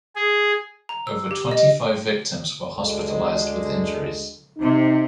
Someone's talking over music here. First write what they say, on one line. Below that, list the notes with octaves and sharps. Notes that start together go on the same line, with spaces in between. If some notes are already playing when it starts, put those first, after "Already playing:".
Over twenty-five victims were hospitalised with injuries.
G#4
A#5
E6
G4
D#5
D2 D3 G#3
C3 D#4